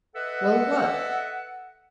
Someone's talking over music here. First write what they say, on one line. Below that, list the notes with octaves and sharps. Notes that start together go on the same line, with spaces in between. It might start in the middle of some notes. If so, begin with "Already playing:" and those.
"Well, what?"
A4 B4 D#5 E5 F#5